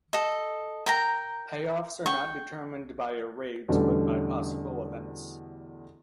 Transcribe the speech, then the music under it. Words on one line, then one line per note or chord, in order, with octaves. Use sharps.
Pay offs are not determined by a "rate", but by possible "events".
A4 D#5
A#4 G5 A#5
G5 C#6
E2 B2 D3 G3 A3 C#4